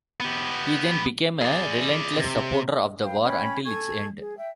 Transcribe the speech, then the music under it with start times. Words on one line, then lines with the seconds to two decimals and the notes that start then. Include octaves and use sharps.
He then became a relentless supporter of the war until its end.
0.20 B3 G4
1.42 G#4 D5
2.17 C3
3.03 B4 F5 G5
3.22 C#4 C#5 G5 B5
3.64 A4 G#5 C#6 G#6
4.18 G#4
4.36 E5 G5